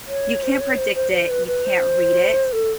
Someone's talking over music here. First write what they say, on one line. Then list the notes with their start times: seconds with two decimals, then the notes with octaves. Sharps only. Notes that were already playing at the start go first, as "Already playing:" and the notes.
you can't predict it, you can't read it,
0.07 C#5
0.43 C5
0.60 C#5
0.78 C5
0.95 C5
1.12 C5
1.30 B4
1.47 B4
1.66 C5
2.53 A4